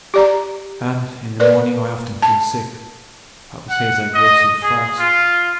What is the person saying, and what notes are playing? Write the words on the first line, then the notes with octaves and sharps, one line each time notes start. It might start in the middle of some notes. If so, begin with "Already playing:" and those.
And, in the morning, I often feel sick--papa says I grow so fast.'
G4 D5 A#5
A#4 B4 D5
A5
F#5
D#5
G#4
F4